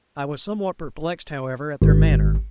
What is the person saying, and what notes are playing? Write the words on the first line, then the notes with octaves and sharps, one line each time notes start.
I was somewhat perplexed, however, at their manner.
G#1